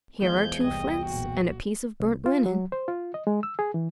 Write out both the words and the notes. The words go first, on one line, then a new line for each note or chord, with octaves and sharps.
"Here are two flints and a piece of burnt linen."
E2 F3 G#3 G6 G#6
C2 D#5 G5
B1 A#2 F#4
C2
F4
F#3
C5
F4
D#5
G#3
E6
G#4
E3